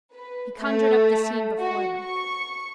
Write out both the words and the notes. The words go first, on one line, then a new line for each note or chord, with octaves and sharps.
He conjured up the scene before them.
B4
A3
F#4
C#6